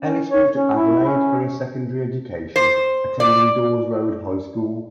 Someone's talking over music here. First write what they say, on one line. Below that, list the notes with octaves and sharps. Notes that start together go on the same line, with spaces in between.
Ellis moved to Adelaide for her secondary education, attending Daws Road High School.
C#4
C#5
C#4
E4
C#4
C5
D5